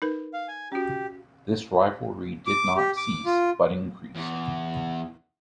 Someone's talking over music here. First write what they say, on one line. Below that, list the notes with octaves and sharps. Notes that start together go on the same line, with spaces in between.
This rivalry did not cease but increased.
D#4 A#4 B4
F5
G#5
C#4 F#4 G4
D6
G4
D6
F4
E2